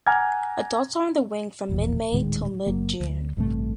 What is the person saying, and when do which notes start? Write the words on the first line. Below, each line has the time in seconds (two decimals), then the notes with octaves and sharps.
Adults are on the wing from mid-May till mid-June.
0.06 F#5 G#5 A#5 D6 F6 G#6
1.69 E1 A#1 E2
2.12 D#1 A2 D#3 G#3
2.66 F#1 F#3 A#3
3.00 D2
3.37 A1 G2 C3 A3